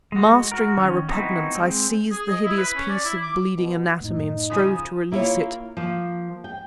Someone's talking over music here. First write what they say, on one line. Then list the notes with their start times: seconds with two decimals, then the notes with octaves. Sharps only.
Mastering my repugnance, I seized the hideous piece of bleeding anatomy and strove to release it.
0.12 G#3 F#4
0.52 F#4 A#4
0.77 D#3 C#4
1.09 B3 C4 D#4 E4 F#4
1.55 G#3 C4
2.11 G#4
2.29 D#5
2.45 E4
2.57 B4
2.76 C#4
2.89 D5
3.05 E4
3.21 D6
3.57 B2
4.04 F#2 A2 D#4
4.50 C#3 F3 G#5 D#6
5.12 A#3 E4 F4 A4 A#4 C#5
5.77 F3 A#3
6.44 G5